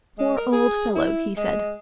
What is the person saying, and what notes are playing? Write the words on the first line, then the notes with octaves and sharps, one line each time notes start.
"Poor old fellow!" he said.
G#3
A#4
G#4
E4
G#3